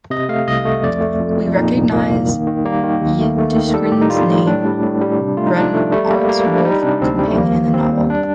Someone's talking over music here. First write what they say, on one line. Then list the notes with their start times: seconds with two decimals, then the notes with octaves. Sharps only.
We recognize d’Ysengrin’s name, Renart’s wolf companion in the novel.
0.10 C3 D#5
0.29 A3 F5
0.48 C2 D#5
0.65 A3
0.83 F2 D5
1.01 A3
1.20 F2
1.37 F2
1.56 A#2 D#4
1.75 C2
1.92 A#2 A#3
2.11 C2
2.29 D#3
2.47 D#3
2.65 G3 A#3
2.83 D#3
3.01 D#2
3.19 A3
3.38 A3
3.56 D#3
3.74 G3 A4
3.92 A2 G4
4.02 D#4
4.10 G3 F4
4.29 A2
4.46 A2 D4
4.65 G3
4.83 A2
5.02 G3
5.19 C3
5.37 A3 F4
5.47 D#4
5.56 F3 D4
5.74 A3
5.91 G3 A3
6.10 G3 A#3
6.28 G3 A#3
6.47 G3 D4
6.65 G3 D#4
6.82 C3 D4
7.01 D2 C4
7.19 G3
7.28 A3
7.38 D#2 A#3
7.55 D#2
7.74 D#2 C4
7.92 G3
8.10 D4